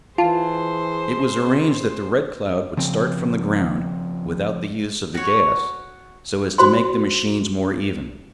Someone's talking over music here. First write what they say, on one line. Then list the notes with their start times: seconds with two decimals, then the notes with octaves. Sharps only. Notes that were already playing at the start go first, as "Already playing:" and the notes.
It was arranged that the Red Cloud would start from the ground, without the use of the gas, so as to make the machines more even.
0.18 E3 F4 G#4 C5 A5
2.77 C#3 F3 C4
5.14 F#4 C#5
6.58 F#4 C5 B5 C6